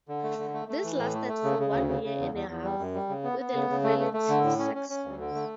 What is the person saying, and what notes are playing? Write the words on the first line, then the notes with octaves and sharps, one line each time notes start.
This lasted for one year and a half, with a relative success.
D3
A3
D3
A3
A3
E3
A2
A3
A3
C#3
C#3
D2
C#3
C#3
E2
E2
E2
G3
F#2
G3
C#3
B3
B3
C#3
C#3
A3
A3
A3
D3
A2
C#4
C#4
C#4
D2
D3
A3